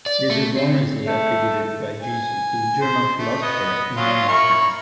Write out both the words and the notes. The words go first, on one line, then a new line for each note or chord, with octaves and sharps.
It is erroneously attributed by Jesus to the German philosopher Immanuel Kant.
D5
A3
C4
A3
G#5
C5
A3
B3 D#5
F#3 C#4 F4
E4 A#4 C#6